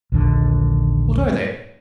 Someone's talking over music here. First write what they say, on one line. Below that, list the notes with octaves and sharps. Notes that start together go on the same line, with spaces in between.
"What are they?"
A#1 D#2 D3